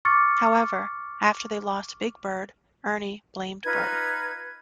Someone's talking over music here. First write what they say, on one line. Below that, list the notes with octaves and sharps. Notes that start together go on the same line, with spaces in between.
However, after they lost Big Bird, Ernie blamed Bert.
C#6 D6 F6 A6 C#7
D#4 F4 B4 G#6